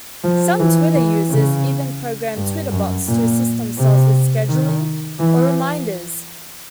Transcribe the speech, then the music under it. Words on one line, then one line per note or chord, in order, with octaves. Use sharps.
Some Twitter users even program Twitterbots to assist themselves with scheduling or reminders.
F3
E3
E3
C#3
G2
F#2
A#2
C3
D#3
E3